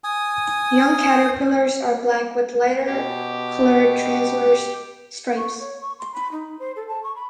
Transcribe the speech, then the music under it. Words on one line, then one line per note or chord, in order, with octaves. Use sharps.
Young caterpillars are black with lighter colored transverse stripes.
G#5 D#6
B2 G4
C#6
C#5
C#6
C6
B5
D#4
C5
A4
A5
C#6
B5